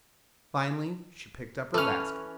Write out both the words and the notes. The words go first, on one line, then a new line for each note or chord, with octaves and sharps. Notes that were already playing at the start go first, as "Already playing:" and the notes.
Finally she picked up her basket.
E3 C#4 A4 F6